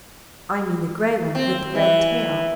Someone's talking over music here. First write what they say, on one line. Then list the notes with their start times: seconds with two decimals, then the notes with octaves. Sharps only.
I mean the grey one with the red tail.
1.35 C4
1.75 E3